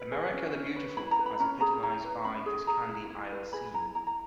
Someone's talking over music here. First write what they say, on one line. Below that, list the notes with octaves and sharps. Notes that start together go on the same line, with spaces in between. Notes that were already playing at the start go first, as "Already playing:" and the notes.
America, the beautiful, as epitomized by this candy isle scene.
Already playing: B4
G#4
C#4
C#4
B4
E4 B5
A#5
B4
B5
C#4 A#5
G#4 A#5
E4 A#5
B4
C#4 B5
G#4
G#4 A#5
E4
E4
B4
G#4 B5
E4 A#5
E4 A#5
A#5